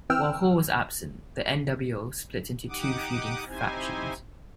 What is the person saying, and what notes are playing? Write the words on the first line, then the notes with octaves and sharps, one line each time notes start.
While Hall was absent, the nWo split into two feuding factions.
E3 C4 G5 E6 F6
D#4 G4 F#5 D6 D#6
C4 D#4 E4 G4 C5 G#5